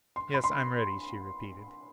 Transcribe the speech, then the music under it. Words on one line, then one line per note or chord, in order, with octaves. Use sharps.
"Yes, I'm ready," she repeated.
C6
B5
C6